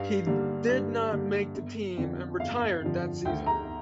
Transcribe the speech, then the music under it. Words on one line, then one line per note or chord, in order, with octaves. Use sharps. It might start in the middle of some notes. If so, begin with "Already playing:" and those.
He did not make the team and retired that season.
Already playing: G2 F5
D3 G3 A#3
G2
D3 G3 A#3
G1
F2 D3 F3
G1 F5
F2 D3 F3
D2 G5
A#5